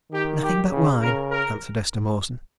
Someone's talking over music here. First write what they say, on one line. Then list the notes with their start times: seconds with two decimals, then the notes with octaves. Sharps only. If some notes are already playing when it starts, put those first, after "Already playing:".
"Nothing but wine," answered Esther Mawson.
0.11 D#3 G4
0.42 G4
0.71 C#3
1.01 C#3 A#4
1.30 A#4